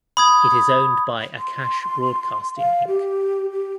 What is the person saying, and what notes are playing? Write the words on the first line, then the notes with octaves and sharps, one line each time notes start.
It is owned by Akash Broadcasting Inc.
B5 D#6 G#6
C6
F5
G4
G4